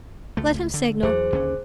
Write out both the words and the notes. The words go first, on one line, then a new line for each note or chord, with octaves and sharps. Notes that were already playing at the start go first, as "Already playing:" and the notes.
"Let him signal."
C#2 A3
D3
E2 F#3 G#4 C5
D#2 D3 C#4